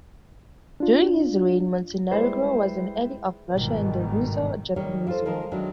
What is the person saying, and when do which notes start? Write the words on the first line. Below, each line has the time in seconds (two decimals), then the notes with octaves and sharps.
During his reign Montenegro was an ally of Russia in the Russo-Japanese war.
0.80 D4 F4
2.11 G3 G#3 E4 B4 C5 D5
3.52 G1 G#2 B2 D#3 G3
4.76 D#3 G3 A#3 C#5
5.07 E4 F4 G4 A4 C5
5.26 F3 G#3 D#4 A#4
5.51 D#3 F#3 G#3 D4 E4